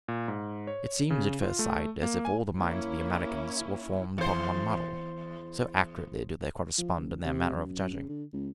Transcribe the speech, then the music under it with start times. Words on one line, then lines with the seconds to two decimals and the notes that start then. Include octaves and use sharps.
It seems, at first sight, as if all the minds of the Americans were formed upon one model, so accurately do they correspond in their manner of judging.
0.08 A#2
0.28 G#2
0.67 C#5
1.10 C#3
1.42 F4
1.59 A3
2.03 A#3
2.25 G#5
2.57 A#3 C#4 E4
4.18 E2 C5
6.78 F3
6.97 F#1
7.25 C3
7.56 F#2
7.80 F#2
7.93 C#3
8.09 D3
8.33 C#2